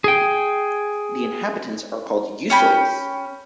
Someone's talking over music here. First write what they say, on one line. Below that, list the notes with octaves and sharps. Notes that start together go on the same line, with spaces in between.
The inhabitants are called "Yussois".
G#4 G5
C#4 G5 B5